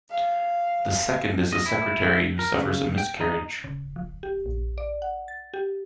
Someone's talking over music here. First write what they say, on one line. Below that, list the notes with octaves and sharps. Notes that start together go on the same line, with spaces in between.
The second is a secretary who suffers a miscarriage.
F5
D#5
E4
A#4
C#3
G5
D#4
C#3
F3
G4
A#1
D5
F#5
A6
G4